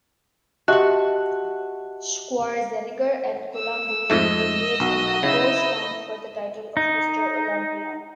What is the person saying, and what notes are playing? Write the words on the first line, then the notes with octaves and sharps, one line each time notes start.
Schwarzenegger and Columbu engage in a posedown for the title of Mr. Olympia.
F#4 G4 D#5 E5 F#5 A5 F#6
E6
F2 G#2 A3 D#5
B1 F#4
C#3 D#4 E4 E6
D#4